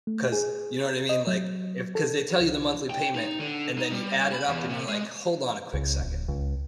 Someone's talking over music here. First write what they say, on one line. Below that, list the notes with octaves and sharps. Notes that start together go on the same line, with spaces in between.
'Cause, you know, what I mean? Like, if 'cause they tell you the monthly payment, and then you add it up, and you're like, "Hold on a quick second.
A3
G#4
D#5
F#3
A4
C2
G5
D#4
D3
D#4
G3
B5
E2
C3
G#3
C#2
D1
C#2